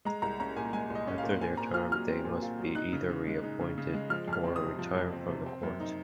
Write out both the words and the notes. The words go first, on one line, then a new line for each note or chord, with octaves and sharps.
After their term, they must be either re-appointed or retire from the court.
G#3 A#5
C2 A#5
C#4 A#5
A#2 G#5
G#3 G#5
C2
D#5
C#4
F5
A#2
C4 G#5
A#2 A#5
F4 F6
F#3 F6
C4
A#2
F4
F#3
D#4 F#6
C#3
C#3
G#3
D#4
C#3
C#3
G#3
F3 F6
F2
F6
C4
D#6
C3
F3
F2
C4
C3
C4
F#2
D#4